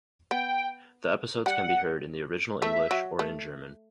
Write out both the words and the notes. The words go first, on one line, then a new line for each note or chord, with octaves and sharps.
The episodes can be heard in the original English, or in German.
B3 G5
G3 F#5
A3 E5
F#3
A3